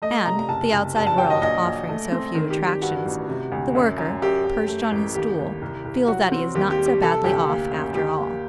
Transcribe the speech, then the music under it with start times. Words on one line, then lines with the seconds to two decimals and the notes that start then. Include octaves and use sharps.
And, the outside world offering so few attractions, the worker, perched on his stool, feels that he is not so badly off after all.
0.02 A3 D#5
0.25 C3 A#5
0.39 A#5
0.49 F#1 A5
0.73 F#1
0.95 G2 A5
1.07 A5
1.18 F#3 G5
1.30 D#5
1.42 A#1 D#5
1.65 A#1
1.89 A3
2.12 C4
2.35 D#3
2.50 G4
2.58 D#3
2.66 G4
2.82 G2 F#4
3.05 A1
3.28 C3
3.52 D2
3.75 F#2
3.98 F#2
4.22 F#2 G4
4.45 F#2
4.68 A3
4.92 A1
5.15 D#2 G4
5.39 D#2
5.62 C2
5.85 C2
6.08 F#3 F#4
6.32 C4
6.55 D#2 G4
6.70 G4
6.78 G3
6.86 G4
7.01 C3 A4
7.24 D2 G4
7.48 A#3
7.71 F#2
7.94 D2 G4
8.18 A#3